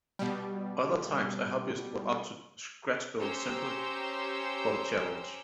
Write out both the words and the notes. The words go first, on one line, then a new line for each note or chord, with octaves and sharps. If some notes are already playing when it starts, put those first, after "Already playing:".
Other times a hobbyist will opt to scratchbuild simply for the challenge.
B2 G3
C#4 G4 C5 A#5 C6 E6